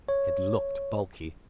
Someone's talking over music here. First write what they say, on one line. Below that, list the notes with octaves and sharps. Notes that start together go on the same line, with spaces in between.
It looked bulky.
C#5